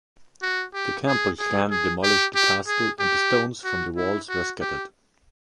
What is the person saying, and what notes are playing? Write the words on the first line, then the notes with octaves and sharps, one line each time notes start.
The Campbell clan demolished the castle, and the stones from the walls were scattered.
F#4
G4
G#4
G#4
G#4
G4
G4
G#4
G4
F#4
E4
F#4
G4